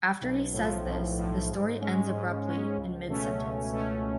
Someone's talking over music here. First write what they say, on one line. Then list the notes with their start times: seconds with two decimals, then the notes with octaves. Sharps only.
After he says this, the story ends abruptly in mid-sentence.
0.21 B1
0.53 A2 F3
0.85 B1
1.17 A2 F3
1.49 G#2
1.81 G#3 C#4
2.13 G#2
2.45 G#3 C#4
2.77 C#2
3.08 B2 A3 C#4
3.40 C#2
3.72 B2 A3 C#4